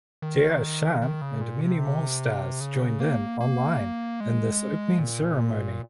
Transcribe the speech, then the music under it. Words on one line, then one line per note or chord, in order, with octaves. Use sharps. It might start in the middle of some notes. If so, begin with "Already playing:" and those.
Jaya Ahsan and many more stars joined in online in this opening ceremony.
D#3
D#3
C#3
A#2
C3
C#3
A#3
A#3
G#3
A#2